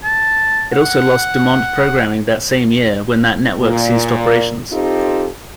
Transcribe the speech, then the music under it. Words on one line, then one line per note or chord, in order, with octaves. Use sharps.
It also lost DuMont programming that same year when that network ceased operations.
A5
F#5
A#2
C4 D#4 F4 G4 A4